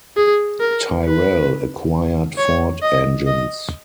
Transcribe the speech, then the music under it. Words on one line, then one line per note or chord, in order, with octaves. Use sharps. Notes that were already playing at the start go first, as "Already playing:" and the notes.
Tyrrell acquired Ford engines.
G#4
A#4
B4
C#5
D#5
D#5